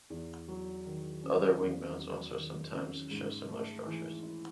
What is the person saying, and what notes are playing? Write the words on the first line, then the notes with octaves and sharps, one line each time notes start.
Other wing bones also sometimes show similar structures.
E2
F#3
D#3
C#4
E2
F#3
D#3
C#4
G#2
A3
E3
E4